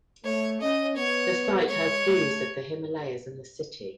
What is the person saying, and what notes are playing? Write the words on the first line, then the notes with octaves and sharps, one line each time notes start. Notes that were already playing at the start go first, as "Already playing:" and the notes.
The site has views of the Himalayas and the city.
A3 C#5
C#4 D#5
B3 C#5
G#3 C#5
A3